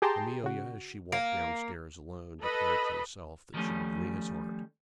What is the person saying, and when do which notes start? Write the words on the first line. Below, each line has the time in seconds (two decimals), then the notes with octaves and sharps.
Amelia, as she walked downstairs alone, declared to herself that she would wring his heart.
0.02 G4 G#4 G5 A5 A#5 C6
0.43 C#3 F#4
1.12 A#3
2.42 A4 B4 D#5 B5
3.54 D#3 F3 G3 A3 C#4